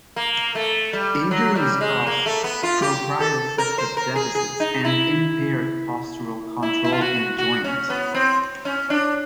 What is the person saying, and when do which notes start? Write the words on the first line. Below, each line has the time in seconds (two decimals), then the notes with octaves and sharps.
Injuries cause proprioceptive deficits and impaired postural control in the joint.
0.16 A#3
0.55 A3
0.93 G3
1.31 F#3
1.55 G3
1.81 G#3
2.07 A#3
2.26 A3
2.44 B3
2.63 F4
2.82 G4
3.20 A4
3.58 A#4
3.78 C5
3.97 A#4
4.15 G#4
4.35 G#4
4.60 D#4
4.85 E4
6.63 E4
6.84 E4
6.92 F4
7.01 F#4
7.38 F#4
7.64 C#4
7.90 B3
8.14 C4
8.65 C#4
8.90 D4